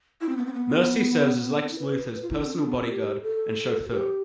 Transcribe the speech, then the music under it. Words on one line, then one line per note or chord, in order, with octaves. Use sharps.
Mercy serves as Lex Luthor's personal bodyguard and chauffeur.
E4
C4
B3
C4
B3
B3
C4
E4
B4
F4
E4
D4
C4
D4
B3
C4
G4
A4
G4